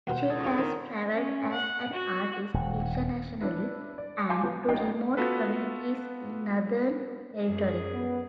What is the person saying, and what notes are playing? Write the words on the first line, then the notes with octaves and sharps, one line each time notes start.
She has travelled as an artist internationally and to remote communities in Northern Territory.
D#2 B2 D#3 C5 F#5
C#2 D#4 G#4 A4
F4 C#6
D#3 C4
C#4
F#5
F#4
D#1
D4 E4 B4
D5
F5 G#5 A5 C6 D6 G6
F3 B3
A1 G3 D#4 G5 C7
B3 F4 F#4 A4 B4
F#2 G#4
B3